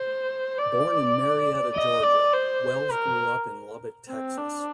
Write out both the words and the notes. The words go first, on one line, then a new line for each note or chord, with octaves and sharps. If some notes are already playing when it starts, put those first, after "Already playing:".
Born in Marietta, Georgia, Wells grew up in Lubbock, Texas.
Already playing: C5
D5
D#5
D5
C5
A#4
C4
D4